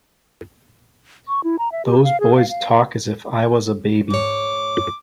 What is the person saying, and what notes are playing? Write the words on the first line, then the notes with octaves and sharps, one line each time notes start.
Those boys talk as if I was a baby.
C#6
E4
A#5
E5
G4
F5
G#4
F5
F5
F5
G#2 C#5 D6